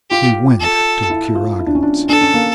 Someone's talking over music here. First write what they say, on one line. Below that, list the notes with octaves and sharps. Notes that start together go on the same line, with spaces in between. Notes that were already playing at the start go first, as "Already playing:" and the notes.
He went to Kuragin's.
F4 G4
A4
E4
F4
E4
D4
C#4
D4
D4 A4
C#4
A#3